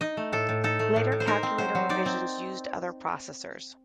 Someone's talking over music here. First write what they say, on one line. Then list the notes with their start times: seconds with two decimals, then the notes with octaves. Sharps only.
Later calculator revisions used other processors.
0.01 D#4 D#5
0.17 A3
0.32 A2 A4
0.49 A2
0.64 D#4 A4
0.79 A3
0.96 A2
1.12 A2
1.20 C5
1.27 D#4 A#4
1.43 C4
1.58 F#3 C5
1.75 F#3
1.89 D#4 D5
2.06 C4